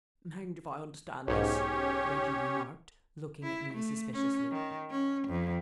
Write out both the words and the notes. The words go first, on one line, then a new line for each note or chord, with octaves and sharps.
"I'm hanged if I understand this!" Reggie remarked, looking at me suspiciously.
B1 G#2 C#4 G4 C#5
E4
A3
C#4
D#3
C#4
F2